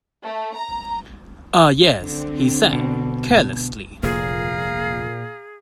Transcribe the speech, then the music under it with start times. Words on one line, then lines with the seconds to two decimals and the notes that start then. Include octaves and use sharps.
"Ah, yes," he said, carelessly.
0.24 A3
0.56 A#5
2.01 D3 C4
2.73 B2
4.03 F1 A#2 G#4 F5 A#5